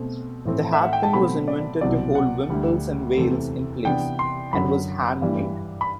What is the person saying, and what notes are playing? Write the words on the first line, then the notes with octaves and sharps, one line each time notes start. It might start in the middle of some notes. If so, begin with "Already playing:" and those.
The hatpin was invented to hold wimples and veils in place, and was handmade.
Already playing: B2 A3 C4
A2 E3 A3 C4
E5
F#5
G5
A5
B2 F#3 A3 C4 B5
D5
C2 B2 F#3 C4 D5
F#5
D2 D3 G3 D4
E2 C3 E3 A3 C4
C3 E3 B3 D4 G5
C6
F#2 D3 F#3 B5
G2 E3 G3 D4
B5